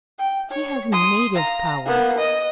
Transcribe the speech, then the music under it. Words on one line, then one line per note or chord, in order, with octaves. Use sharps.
He has native power.
G5
C#5
C6 D#6
F5 A#5
A#3 B3
D#5